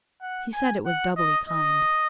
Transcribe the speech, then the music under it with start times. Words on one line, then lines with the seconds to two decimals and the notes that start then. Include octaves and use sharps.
He said it was doubly kind.
0.21 F#5
0.53 G#5
0.86 F#5
1.17 D#5
1.49 D#5